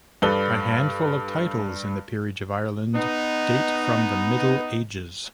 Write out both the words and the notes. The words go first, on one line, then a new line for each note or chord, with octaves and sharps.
A handful of titles in the peerage of Ireland date from the Middle Ages.
G2 A4 B4 D5 G7
B3 D#4